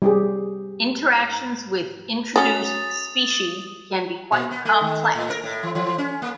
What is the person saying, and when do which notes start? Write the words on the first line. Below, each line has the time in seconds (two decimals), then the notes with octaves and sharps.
Interactions with introduced species can be quite complex.
0.02 G3 G4 G#4
2.36 F#3 C#4 D#6 A6
4.32 A#2
4.51 B3
4.65 A3
4.81 D#3
5.15 A2
5.30 A#4
5.44 A2
5.63 E3
5.75 E3
5.98 C#4
6.22 A#3